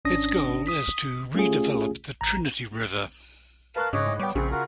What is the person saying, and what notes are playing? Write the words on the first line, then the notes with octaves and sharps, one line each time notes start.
Its goal is to redevelop the Trinity River.
G#1 C#4 D4 D#6 A#6
D#6 B6
A3 C#4 F4 G4 G#4
A1 A#5
A#4 B4 F5 A5 C#6 F#6
G#2 C#3 C#5 D#5 D6
A2
G3 B3 C#5 G5 D6
A#1 C#3 C4 G#4 C#6
F4 F#4 A#4